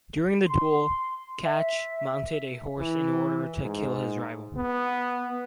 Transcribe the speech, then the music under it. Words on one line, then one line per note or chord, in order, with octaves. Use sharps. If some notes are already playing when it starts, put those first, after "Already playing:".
During the duel Chach mounted a horse in order to kill his rival.
C6
E5
E3
G#2
B3